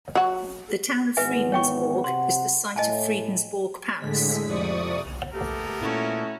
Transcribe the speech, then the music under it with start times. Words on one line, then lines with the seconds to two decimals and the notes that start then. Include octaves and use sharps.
The town of Fredensborg is the site of Fredensborg Palace.
0.15 F#3 F#4
1.17 G#1 E2 B3 B4 E5 G#5
1.52 C#5 G5 C#6
2.04 C3 F#5 C6
2.76 A2 D#5 G#5 A5
3.98 A2 D3 G#3 B6
4.44 F2 C3 D5 C#6 D#6
5.34 A3 B3 G4 A4 A#4
5.81 A#2 A3 C#4 E4 F#4